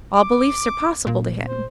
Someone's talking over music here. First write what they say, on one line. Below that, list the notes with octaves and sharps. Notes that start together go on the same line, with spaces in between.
All beliefs are possible to him.
D6
A#2
C5